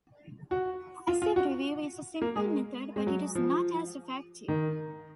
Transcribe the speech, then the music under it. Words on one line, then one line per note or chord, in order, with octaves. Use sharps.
Passive review is a simple method but it is not as effective.
F#4
F4
F4
F#4
A#3
G#3
G#3
F#3
F3
D#3